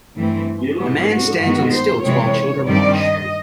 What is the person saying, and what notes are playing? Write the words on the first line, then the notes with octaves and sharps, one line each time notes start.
A man stands on stilts while children watch.
G2 E3 A3 C4
G#2 E3 G#3 B3
F#4
G2 D#3 G#3 B3 F#4
C5
C3 E3 G#3 C4 C#5
G2 D#3 G3 C4 D5
D#5